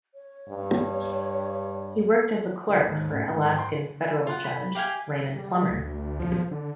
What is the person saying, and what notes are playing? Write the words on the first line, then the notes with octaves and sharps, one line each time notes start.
He worked as a clerk for Alaskan federal Judge Raymond Plummer.
C#5
G2
D2 C#7
D#2 G#2
A2 C#3
G#2
G5 C6
F4 F#5
B5
G4 F5 G5 G#5
G3
D2
F3
D3